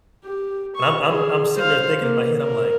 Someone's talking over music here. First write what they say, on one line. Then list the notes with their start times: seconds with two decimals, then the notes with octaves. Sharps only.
and I'm I'm I'm sitting there thinking in my head, I'm like,
0.25 G4
0.75 C#6
1.10 G#4
1.56 C5 F5
1.99 A#3
2.41 A#4